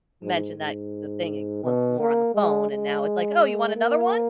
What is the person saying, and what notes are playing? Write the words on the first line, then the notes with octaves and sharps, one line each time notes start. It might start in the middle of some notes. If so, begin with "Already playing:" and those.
mentioned that the thing ag once more on the phone, and now it's like, "Oh, you want another one?
G#2
G#2
B2
A#3
G#3
G#3
A#3